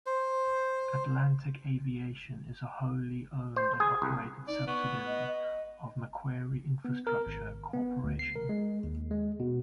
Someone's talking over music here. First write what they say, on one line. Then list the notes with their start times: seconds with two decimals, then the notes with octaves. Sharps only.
Atlantic Aviation is a wholly owned and operated subsidiary of Macquarie Infrastructure Corporation.
0.06 C5
3.56 C5
3.80 G#4
4.02 C2
4.48 D#4 D5
4.67 B3 C#6
5.07 D#5
5.28 D#5
6.85 B3
7.07 A#4
7.27 G#1
7.73 B3
8.04 D2
8.19 C7
8.35 A#4
8.49 G#3
8.84 D#2
9.11 G#3
9.40 B2